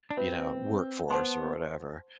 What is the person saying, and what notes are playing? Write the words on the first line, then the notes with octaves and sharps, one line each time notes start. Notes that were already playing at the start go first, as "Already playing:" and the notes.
you know, workforce or whatever?
D4
C4 F#4 B4 E5 B5
B3 C5 F#5 A5 C6